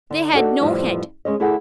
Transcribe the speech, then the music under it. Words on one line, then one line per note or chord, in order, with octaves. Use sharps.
They had no head.
D3
D4 D#4 F#4 A4
F2 A2 E3 F3 G3 E4
G#3 C#4 D#5
D2 E4 G#4 A4 F#5